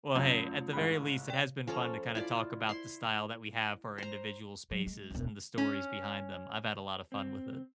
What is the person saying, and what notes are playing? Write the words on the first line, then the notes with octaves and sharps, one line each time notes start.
well, hey, at the very least, it has been fun to kinda talk about the style that we have for individual spaces and the stories behind them. I've had a lot of fun with it.
F#2 A3 C#4 F4
A1 G#2 B5 F#6
D5 G5
F3 C#4 A4 A#5
E4 F4 D5
E4 C6
C5 A#5
F#3
G#3
E1 C#2
C#4
C4